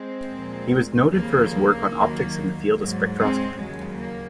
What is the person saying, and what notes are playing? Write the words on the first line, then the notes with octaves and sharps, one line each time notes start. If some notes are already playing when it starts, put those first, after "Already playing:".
He was noted for his work on optics and the field of spectroscopy.
Already playing: G#3 C4
A#2 F3
D#2 C#3 F3 A#3
D#2 D#3 F#3
G#2 F#3
G#3 C4
D#2 C#3 F#3 G#3
A#3